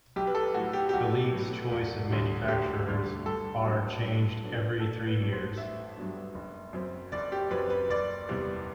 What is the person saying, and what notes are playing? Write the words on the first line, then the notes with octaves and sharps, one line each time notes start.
The league's choice of manufacturers are changed every three years.
B1 G4
B4
A4
A2 F#3 F#4
G4
G4
B1 F#4
A2 F#3
E1
D2 D3 G3 D4
E1 G4
D2 D3 G3 D4
G2 A4
F#3 B3 D4
G2
F#3 B3 D4
A1 A4
B4
G2 F#3 B3 D4
C5
A1 E5
G2 F#3 B3 D4
F#1
F#2 F#3 C4
F#1 D5
G4
F#2 F#3 C4 B4
B4
F#1 D5
E2 C3 G3 B3